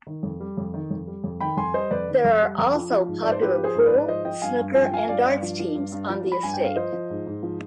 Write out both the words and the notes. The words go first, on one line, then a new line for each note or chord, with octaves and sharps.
There are also popular pool, snooker and darts teams on the estate.
D#3
F2
G3
F2
D#3
F2
G3
F2
D#3 G5 B5
F2 G#5 C6
G3 C5 D#5
F2 B4 D5
D#3
F2
G3
F2
F3
F3
G#2
G#2 D5
C5
F3 G4 B4
F3
G#4 C5
G#2
B4 D5
G#2
F3 C5 D#5
F3 D#5 G5
G2 F5 G#5
G2
F3 G#5
G5
F3 F5 G#5
G2 D5 F5
G2
F3
F3
G2
G2
F3
F3
B5
G2 G#5
G5
G2
F5
F3 C5 D#5
F3
G#2
G#2
F3